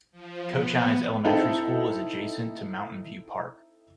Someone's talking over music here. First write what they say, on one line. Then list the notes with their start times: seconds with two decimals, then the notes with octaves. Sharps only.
Cochise Elementary School is adjacent to Mountain View Park.
0.12 F3
0.48 B3
1.24 C4 D#4 E4 A4